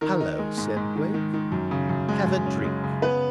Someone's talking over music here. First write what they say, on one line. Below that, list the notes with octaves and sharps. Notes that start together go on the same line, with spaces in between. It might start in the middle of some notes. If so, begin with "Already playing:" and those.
"Hallo," said Blake, "have a drink."
D#3 A#4
D#4
G#3
G#2
G#2
D#3
D#3
D#3
F#2
C#3
F#2
G#3
F#2
C#4
G#3
C#3
B3 B4